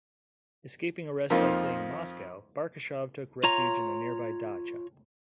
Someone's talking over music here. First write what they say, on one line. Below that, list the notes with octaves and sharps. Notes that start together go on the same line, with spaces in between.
Escaping arrest by fleeing Moscow, Barkashov took refuge in a nearby dacha.
F2 F3 A#3 D#4 F4
F4 C#5 A#5